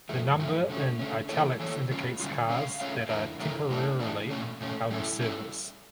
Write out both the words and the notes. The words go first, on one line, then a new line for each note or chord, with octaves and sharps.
The number in "Italics" indicates cars that are temporarily out of service.
G2 F3 A3
G2 F3 A3
D3 A3 C#4
D3 A3 C#4
E3 A#3 E4 A4 C#5
E3 A#3 E4 A4 C#5
D3 G3 C#4 F4
D3 G3 C#4 F4
A3 C#4 F4 C#5 F5
A3 C#4 F4 C#5 F5
E2 D3 A3 E4 A#4
E2 D3 A3 E4 A#4
A2 E3 A3 D4
A2 E3 A3 D4
A#2 A3 C#4
A#2 A3 C#4
G3 C#4 E4 A4
G3 C#4 E4 A4